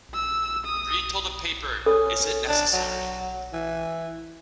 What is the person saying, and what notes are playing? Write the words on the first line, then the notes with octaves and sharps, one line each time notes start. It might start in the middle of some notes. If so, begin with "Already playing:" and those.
Reed told the paper, Is it necessary?
E6
D#6
C#4 A4
D4
F#3
E3